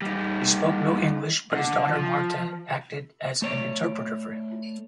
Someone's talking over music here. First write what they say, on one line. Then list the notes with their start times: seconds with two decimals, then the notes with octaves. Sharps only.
He spoke no English, but his daughter Marta acted as an interpreter for him.
0.02 G3 D#4
1.53 D3
1.92 F3
3.42 A3 C#5 D5